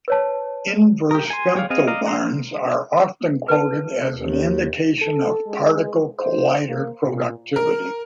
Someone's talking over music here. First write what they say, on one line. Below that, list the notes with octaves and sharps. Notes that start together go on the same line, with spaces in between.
Inverse femtobarns are often quoted as an indication of particle collider productivity.
B4 C#5 A5
G4 A#4
G#5 C6
G4 G#4 C#5 D5 F5
B3 C4 G#4 D#5 F5
D5 D#5 F5 A#5
A#4 F#5 A#5 C6
B4 A5
D#2
A4
G#3
C5
A#3
A#2
A#4